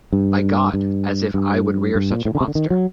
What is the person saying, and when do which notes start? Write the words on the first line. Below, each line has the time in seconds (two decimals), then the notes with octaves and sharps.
By God, as if I would rear such a monster!
0.13 G2
0.74 G2
1.34 G2
1.95 G2
2.10 A#2
2.25 A2
2.35 D3
2.41 C3
2.48 D3
2.55 D#3
2.70 F#3